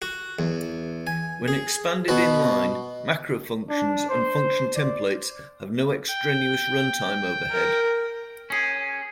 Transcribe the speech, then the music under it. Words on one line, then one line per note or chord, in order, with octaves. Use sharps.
When expanded inline, macro functions and function templates have no extraneous runtime overhead.
F#4
E2
G#5
G#4
B2 F#4
D4
C5
D5
G5
A#4
C#4 G#4